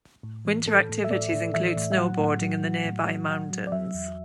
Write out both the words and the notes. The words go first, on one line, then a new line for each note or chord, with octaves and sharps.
Winter activities include snowboarding in the nearby mountains.
A2
E3
A2 A4
A2
E5
A2 D5
A2
E3 E5
A2
E5
F#3 F#5
A2
F#3
F#3
A2
F#3
F#3
F#3
D5
F#3 E5
E2